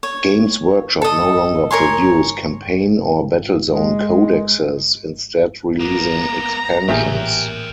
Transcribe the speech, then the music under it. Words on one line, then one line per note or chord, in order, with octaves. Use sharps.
Games Workshop no longer produce campaign or battlezone codexes, instead releasing 'expansions'.
C#5
A4 D#5
A#4 C#5 G#5 C6
G#3
A#3 B3 A#5
A1 A#2 G4 G#4 A#4 C#5 E5 G6